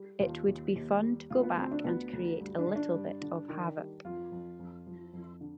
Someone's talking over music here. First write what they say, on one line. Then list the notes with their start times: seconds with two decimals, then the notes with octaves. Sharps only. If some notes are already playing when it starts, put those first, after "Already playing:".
It would be fun to go back and create a little bit of havoc!
Already playing: G3
0.20 D#2 F4
0.48 D#2
0.75 D#2
1.02 G3
1.30 D2 F4
1.43 B3
1.57 D2 C4
1.71 D4
1.84 D2 B3
2.13 D2
2.40 G2
2.58 D4
2.67 D3
2.76 D4
2.94 G2
3.21 D3
3.49 D#3
3.77 G3
4.05 F2 F4
4.32 F2
4.59 F2
4.87 F3
5.13 F2
5.41 D3